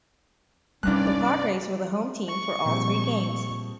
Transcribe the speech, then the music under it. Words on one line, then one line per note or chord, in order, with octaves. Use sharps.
The Padres were the home team for all three games.
C2 G2 G3 C#4 D#4 D5 F#6
C#6
A#2 F3 G3 C4 G#4